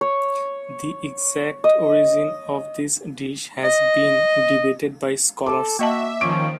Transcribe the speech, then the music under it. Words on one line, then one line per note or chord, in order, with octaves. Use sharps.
The exact origin of this dish has been debated by scholars.
C#5
D#5
D#5
A4 D6
A#3 F#4 D#5 E5 A5
D#3 F3 C#4 D6 D7